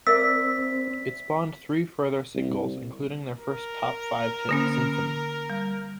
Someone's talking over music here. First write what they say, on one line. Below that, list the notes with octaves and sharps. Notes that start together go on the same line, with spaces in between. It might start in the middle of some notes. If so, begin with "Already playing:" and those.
It spawned three further singles, including their first top five hit "Symphonie".
C4 A#4 D5 E5 E6 B6
C2
A#4
D3 A#3 C#4
G3